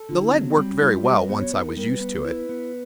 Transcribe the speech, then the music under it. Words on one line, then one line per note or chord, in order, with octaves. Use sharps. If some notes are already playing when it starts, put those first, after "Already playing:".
The leg worked very well, once I was used to it.
Already playing: A4
D3 F4
E4
F#3 C4
B3
G3 C4
C#4
G3 E4
F4
F#3 G4
B4
B3 C5
C#5
D#4 B4
A#4
G3 A#4
B4
B3
E4
B3